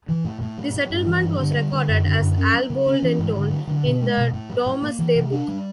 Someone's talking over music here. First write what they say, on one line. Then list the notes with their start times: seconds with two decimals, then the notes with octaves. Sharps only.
The settlement was recorded as Alboldintone in the "Domesday Book".
0.09 E3
0.25 A2
0.41 A2
0.58 F#3
0.74 A2
0.90 G2
1.07 E3
1.23 G2
1.39 D3
1.55 G3
1.72 D3
1.89 F#2
2.04 D3
2.20 F#2
2.37 C#4
2.54 F#3
2.70 C#3
2.86 C#4
3.02 E3
3.19 G#2
3.35 D3
3.51 F#3
3.67 D3
3.84 B2
4.01 G#3
4.17 B2
4.33 A2
4.50 F#3
4.66 A2
4.82 A#3
4.99 E3
5.15 C3
5.32 D4
5.48 G3